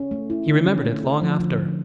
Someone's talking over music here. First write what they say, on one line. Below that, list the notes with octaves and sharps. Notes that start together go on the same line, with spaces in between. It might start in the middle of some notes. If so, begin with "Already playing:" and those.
He remembered it long after.
Already playing: C#4
A3
E4
D3
C#4
A3
C#4
F3
D3
D3